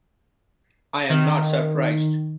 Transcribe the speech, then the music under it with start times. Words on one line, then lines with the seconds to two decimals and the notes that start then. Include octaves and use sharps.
I am not surprised.
1.10 D#3